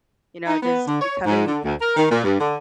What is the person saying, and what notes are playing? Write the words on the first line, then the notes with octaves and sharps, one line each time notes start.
you know just becoming
D#4
B3
D3
C#5
G#2
D3
D2
A#4
D#3
A#2
G2
D3